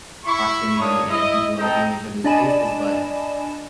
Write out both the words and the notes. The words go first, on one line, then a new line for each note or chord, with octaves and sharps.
proximity and people, like, being in each other's spaces, but
E4 B5 C#6
A3 A#3 D4 C#5 A#5 D#6
E4 D#5
C4 D#4 A4 D#5 G5 A#5
D4 D5 D#5 G#5 B5 E7